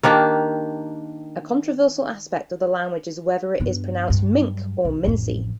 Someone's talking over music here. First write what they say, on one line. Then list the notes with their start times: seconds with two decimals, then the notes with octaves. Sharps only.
A controversial aspect of the language is whether it is pronounced "mink" or "min-see".
0.03 D#3 A#3 D4 G4
3.60 G2 B3
4.08 G2 F#3
4.85 B1
5.04 A1 F2